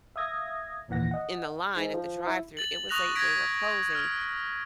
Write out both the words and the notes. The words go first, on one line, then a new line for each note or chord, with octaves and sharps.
th in the line at the drive-thru, it was late, they were closing,
E5 F5 D#6 G#6 A#6
G#1 D#2 A#2 E3 F#5 A#6
D#5 F#5
G#2
F3
E4
A6 F#7
C#6 D#6 F#6 A#6 F7
G#6 A#6 B6 D7
F6